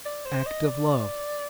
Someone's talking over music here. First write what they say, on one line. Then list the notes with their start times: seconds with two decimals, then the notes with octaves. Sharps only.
Act of Love.
0.05 D5
0.25 C5
0.46 D#5
0.68 D5